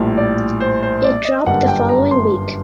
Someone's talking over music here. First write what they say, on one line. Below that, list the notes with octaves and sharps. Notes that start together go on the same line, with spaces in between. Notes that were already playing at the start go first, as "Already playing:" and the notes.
It dropped the following week.
Already playing: A#1 A2 G3 A#3
D5
C5
C5
D5
D#5
G1 F#2 D3 G3 A#3 F#5
G5
A#5
C6